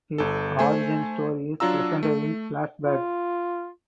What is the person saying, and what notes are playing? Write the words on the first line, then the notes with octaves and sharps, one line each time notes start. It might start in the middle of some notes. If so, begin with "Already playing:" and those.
His origin story is presented in flashbacks.
G1 A4
A3 C5 G#5
F#3 D4 F4 A#5 E6
A3
F4